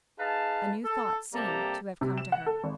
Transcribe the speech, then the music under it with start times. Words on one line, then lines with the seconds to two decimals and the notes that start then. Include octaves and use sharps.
A new thought seemed to have come to her.
0.19 D#4 G#4 B4 F5 A5
0.84 A4
1.34 C3 G3 A#3 G4 A4 A#5
2.01 C3
2.18 E7
2.32 F#5
2.46 A4
2.64 G#1